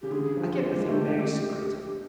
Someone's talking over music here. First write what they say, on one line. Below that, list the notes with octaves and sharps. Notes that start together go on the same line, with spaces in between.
I kept the thing very secret.
C#3 G4
D3 G#4
F3
G4
G#3
G3
G#3
A3